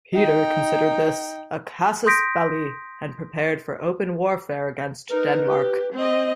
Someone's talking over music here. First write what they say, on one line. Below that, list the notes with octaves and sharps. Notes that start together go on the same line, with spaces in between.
Peter considered this a "casus belli", and prepared for open warfare against Denmark.
D#4 G5
C6 D#6 G6 A#6 B6 D7
D#4 A#4 B4
G4
C4 D#5